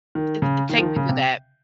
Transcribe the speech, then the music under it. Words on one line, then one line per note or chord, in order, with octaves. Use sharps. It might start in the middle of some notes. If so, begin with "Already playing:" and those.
Th th take me through that.
D#3
C#3
D#3
F3
D#3
C#3
C3